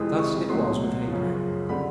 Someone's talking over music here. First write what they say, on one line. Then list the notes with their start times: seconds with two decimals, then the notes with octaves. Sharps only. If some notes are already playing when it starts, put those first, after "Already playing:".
Thus it was with Abraham.
Already playing: F2 C3 E3 G#3 C4 D#6
0.19 C#6
0.49 C#2 B2 F#3 A3 C6
1.09 F#2 C#3 F3
1.69 D3 G3 C4 B5